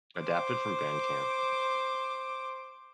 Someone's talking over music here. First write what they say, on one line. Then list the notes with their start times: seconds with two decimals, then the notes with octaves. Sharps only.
Adapted from Bandcamp.
0.19 C5 D6